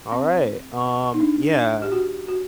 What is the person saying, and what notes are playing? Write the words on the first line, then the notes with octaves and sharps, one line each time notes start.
Alright, um, yeah.
C4
D#4
D4
G4
F#4
F#4